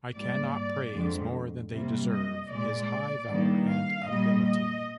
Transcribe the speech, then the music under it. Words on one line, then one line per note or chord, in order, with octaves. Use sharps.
I can not praise more than they deserve his high valor and ability.
G#2 G3 A#3 D5
D5
F2 D3 G#3
C3 G3 A#3
D#5
A#2 G#3 D5
G2 D#3 A#3
F5
A#2 G3 A#3 D#5
D#5